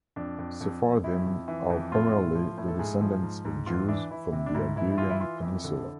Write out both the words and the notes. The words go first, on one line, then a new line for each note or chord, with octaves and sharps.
Sephardim are primarily the descendants of Jews from the Iberian Peninsula.
F2 D4
F2
F2
F2
F2 E4
F2
E3
F2
A2 F4
A2
F3
A2
A4
G#2 G#4
F3
G#2
G#2
E2 F4
E3 D4
E3 E4
C3 E4
D4
G#2 E4
E3 E4
E4
E3 F4
E4
E3 F4
F2 E4
D3